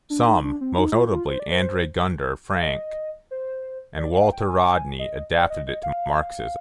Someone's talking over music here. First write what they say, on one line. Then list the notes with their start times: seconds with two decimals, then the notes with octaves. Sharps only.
Some, most notably Andre Gunder Frank and Walter Rodney adapted it to Marxism.
0.10 D4
0.27 D#4
0.44 D4
0.61 C4
0.77 D#4
0.94 F4
1.11 F4
1.28 C5
1.40 D5
1.52 C5
2.54 F5
2.63 D#5
3.31 C5
3.98 D5
4.15 F5
4.32 G5
4.48 G#5
4.66 G#5
4.99 D#5
5.33 D5
5.50 D#5
5.67 D#5
5.83 F5